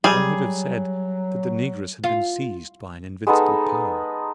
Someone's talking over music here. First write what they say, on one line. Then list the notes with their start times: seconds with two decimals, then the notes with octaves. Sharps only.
One would have said that the negress had been seized by an invincible power.
0.04 F#3 G3 G#4
2.04 F4
3.27 G#3 B3 D#4 A4